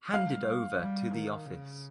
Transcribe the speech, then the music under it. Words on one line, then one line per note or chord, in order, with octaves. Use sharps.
Handed over to the office.
G3 F5
G3
D#3
C#3